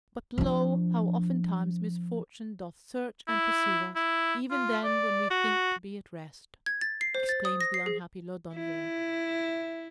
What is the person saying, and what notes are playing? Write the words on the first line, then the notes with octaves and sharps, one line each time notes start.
"But, lo, how oftentimes misfortune doth search and pursue us, even then when we thinke to be at rest!" exclaims the unhappy Laudonniere.
F3 D4
E4
E4
F4
D5
F#4
G#6
A6
C7
C5
A6
D#6
A#6
C7
G#4
E4